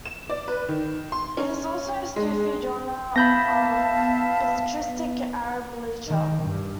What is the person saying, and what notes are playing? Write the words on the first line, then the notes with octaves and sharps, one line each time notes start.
It is also Sufi genre of belletristic Arab literature.
E7
D5
B4
D#3
C6
C#4
G#3
B3 E4 E5 F5 A5 B5 G6 A#6
D#3
G2